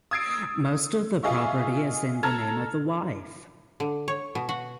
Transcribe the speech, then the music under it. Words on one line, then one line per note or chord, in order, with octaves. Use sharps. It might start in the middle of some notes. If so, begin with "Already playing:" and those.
Most of the property is in the name of the wife.
D#6 E6 G#6 A6 C7 D7
F4 G#4 D#5 E5 C#6
A4 A5 A#5 F6 G#6
D3
C#5
B2
F#4